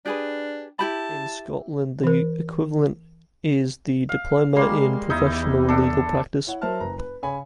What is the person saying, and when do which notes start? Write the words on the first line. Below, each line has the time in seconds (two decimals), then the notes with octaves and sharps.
In Scotland, the equivalent is the Diploma in Professional Legal Practice.
0.06 D4 G4 G#4 B4
0.79 E4 G4 A5 B5
2.04 E3 A#4
4.09 F5
4.55 G3 G#3 A#3 C6
5.10 E2 D#4 E4 D#5
5.68 D4 A4
6.47 E4 C#5 F#5
6.61 F#3 A#4 C5 E5 A5 F6
6.80 F#1 B4 A#5
6.98 B4
7.23 C#3 C#5 G#5 B5